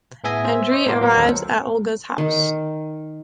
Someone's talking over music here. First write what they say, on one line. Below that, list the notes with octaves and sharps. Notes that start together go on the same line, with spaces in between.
Andreï arrives at Olga's house.
A2 B3 G#4 E5 G#5 A#6
C5 E5
C5 C#5 D#5
A2 B3 A#4 C6 D6
F#3 A#4 B4 F#5
D#2 F#3 C#4 A4 C5
D#3